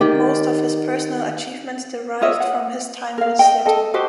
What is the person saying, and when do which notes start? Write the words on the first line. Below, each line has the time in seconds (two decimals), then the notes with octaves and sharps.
Most of his personal achievements derived from his time with Seattle.
0.01 D#3 G4 D5
2.21 F4 C#5 D#5 E5
2.40 F#5
3.18 A#4 F5
3.39 D#5 G5
3.66 A4 D#5
3.94 F#4 G4 C5 D#5